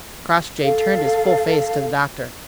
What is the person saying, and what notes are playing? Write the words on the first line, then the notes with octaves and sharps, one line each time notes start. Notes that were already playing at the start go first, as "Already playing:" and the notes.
Crossjay turned his full face to the doctor.
A4 F5